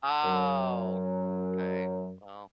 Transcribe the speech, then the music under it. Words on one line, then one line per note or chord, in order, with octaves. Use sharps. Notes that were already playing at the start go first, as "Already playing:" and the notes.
Oh, okay. Well
F#2 F#3